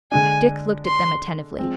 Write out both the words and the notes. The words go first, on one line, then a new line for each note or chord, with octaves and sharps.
Dick looked at them attentively.
D3 G#3 D4 G#5
C6
F3 G#3 C4